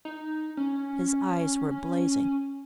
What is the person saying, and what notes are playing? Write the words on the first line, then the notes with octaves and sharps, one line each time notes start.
His eyes were blazing.
D#4
C#4